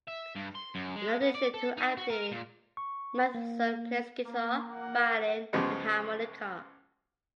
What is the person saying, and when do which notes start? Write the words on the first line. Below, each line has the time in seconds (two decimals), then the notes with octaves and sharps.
In addition to acting, Matheson plays guitar, violin and harmonica.
0.08 E5
0.36 G2
0.55 C6
0.75 F#2
0.96 G#3
1.21 B3
1.34 D5
1.54 A4
1.77 D#4
1.97 F#4
2.10 A#4
2.32 A#2
2.77 C#6
3.35 A#3
4.25 A#3
4.70 A#4 F#5
5.53 C#2 F#2 F3 G3 G#3 B3